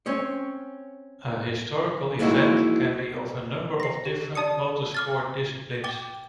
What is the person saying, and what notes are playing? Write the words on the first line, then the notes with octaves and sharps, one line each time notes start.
A historical event can be of a number of different motorsport disciplines.
C4 C#4 C#5
G#3 A#3 D#4 E4 F#4
A#6 C7
G4
D5 A5 D#6 C#7
D6 F6 A6
G5 D6 A6 G7